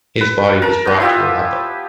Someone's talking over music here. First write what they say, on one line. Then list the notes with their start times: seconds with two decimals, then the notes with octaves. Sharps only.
His body was brought to Aleppo.
0.21 B4
0.62 A#4 A5
0.85 B3 D#4
1.00 E4 F4 G4 E5